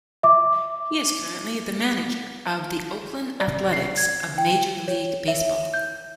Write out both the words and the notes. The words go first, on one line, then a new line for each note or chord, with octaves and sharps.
He is currently the manager of the Oakland Athletics of Major League Baseball.
E5 D6
D5
C7
G#6
G5
C#5
E5
G6